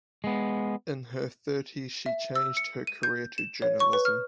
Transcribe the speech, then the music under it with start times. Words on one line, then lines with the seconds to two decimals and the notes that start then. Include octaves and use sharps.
In her thirties she changed her career to journalism.
0.24 G#3 B3
2.06 E5
2.35 E6
2.57 C#7
2.87 D#7
3.03 G6
3.38 E7
3.62 C#5
3.80 C#6
3.93 B4
4.05 F6